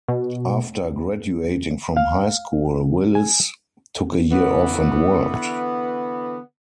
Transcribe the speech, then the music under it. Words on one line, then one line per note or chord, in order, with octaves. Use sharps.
After graduating from high school, Willis took a year off and worked.
B2
F5
G#5
D3 E3 B3